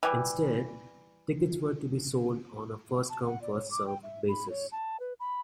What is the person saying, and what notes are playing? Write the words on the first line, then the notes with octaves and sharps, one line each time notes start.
Instead, tickets were to be sold on a first-come-first-served basis.
E3 G3
A5
F#5
D5
C#5
D6
G5
E5
B5
C#5
A5
B4
B5